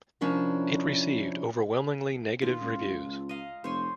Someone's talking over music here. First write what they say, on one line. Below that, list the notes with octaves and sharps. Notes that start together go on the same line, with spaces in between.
It received overwhelmingly negative reviews.
C3 F3 C#4 D4 E4 A#4
D#2 F4
C#2
D#5 F5 A#5
F1 C5 C#5 G#5